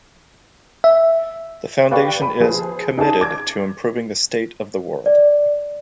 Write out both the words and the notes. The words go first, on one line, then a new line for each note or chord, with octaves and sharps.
The foundation is "committed to improving the State of the World".
E5
G4 B4 D5 F5 G5 C#6
B5
F3 G#4 B4 C5
D#4 G#4 D5 A5
D6 G#6
D5